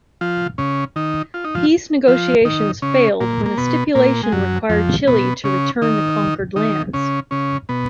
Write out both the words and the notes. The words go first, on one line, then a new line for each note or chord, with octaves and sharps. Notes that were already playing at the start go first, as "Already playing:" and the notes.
Peace negotiations failed when a stipulation required Chile to return the conquered lands.
F3 F4
C#3 C#4
D#3 D#4
F4
D#4
F3 F4
F3 F4
D#3 D#4
C#3 C#4
A#2 A#3
A#3
B2 B3
A#2 A#3
G#3
F#2 F#3
F2 F3
B2 B3
C#3 C#4
D#3 D#4
D#3 D#4
C#3 C#4
C#3 C#4
B2 B3